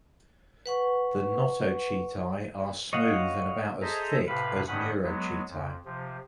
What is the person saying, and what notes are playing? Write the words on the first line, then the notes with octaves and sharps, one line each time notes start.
The notochaetae are smooth and about as thick as neurochaetae.
B4 F#5 C#6
C#5 D#5 F5 F#5
G#4 A4 C5 D#5 E5 A#5
A2 C3 B4 F5 B5
G2 D#3 C#4 F#5 B5 D#6
F#3 G#3 B3
F2
C3 F3